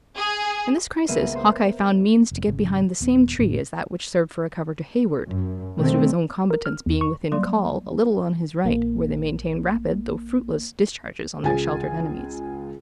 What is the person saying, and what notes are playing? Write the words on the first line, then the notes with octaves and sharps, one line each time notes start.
In this crisis, Hawkeye found means to get behind the same tree as that which served for a cover to Heyward; most of his own combatants being within call, a little on his right, where they maintained rapid, though fruitless, discharges on their sheltered enemies.
G#4
C#2 A#3 B3 E5 D#7
C5
F1
G#1 C#3
D#1 B3
A1 F2 A2 C#3
F#2
B2 D3 D#3 G3 A3 C4
A#4
F6
E2
C#6
F#3 G3 A#3 D5 C6
A#1 A#3
C#2 F4 G#4 G#5 A6